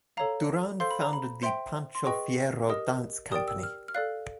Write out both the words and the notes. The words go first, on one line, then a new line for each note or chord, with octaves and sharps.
Durand founded the Pancho Fierro Dance Company.
A4 C#5 F5 A#5
A4 C5 F5 C6
B5
A#5
B5
C5 E5 G5 C6
C6
G#4 B4 D#5 G5 C#6
G4 A#4 D#5 D#6
G4 A#4 D5 G5 D#6
E6
F6
F6
A4 D5 F5 F#6